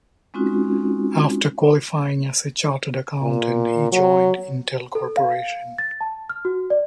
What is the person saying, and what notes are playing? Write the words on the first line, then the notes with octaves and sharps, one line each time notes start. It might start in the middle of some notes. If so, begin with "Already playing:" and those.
After qualifying as a chartered accountant, he joined Intel Corporation.
G#3 C4 C#4 D#4 F4 F#4
A#2
F#3
A4
F5
A6
A5
F6
F#4
D5